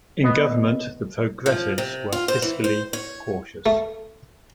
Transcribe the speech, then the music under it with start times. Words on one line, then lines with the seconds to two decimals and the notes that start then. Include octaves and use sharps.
In government, the Progressives were fiscally cautious.
0.24 B3 D#5
1.46 F3
1.78 C3
2.12 F4
2.28 C5
2.42 E3
2.64 C5
2.93 C#5
3.66 A3